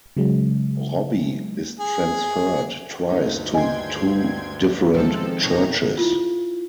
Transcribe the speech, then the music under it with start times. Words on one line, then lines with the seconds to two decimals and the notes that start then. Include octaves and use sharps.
Robbie is transferred twice to two different churches.
0.17 C#3 F#3 G#3
1.79 G#4
3.10 D2 G2 D#4
3.54 D#5 G5 G#5 C6 G#6
4.94 C3 D#3 F3 G#3 C4 A4
5.43 B2 C4 D#4 C#5 A#5 A#6
5.98 E4 F4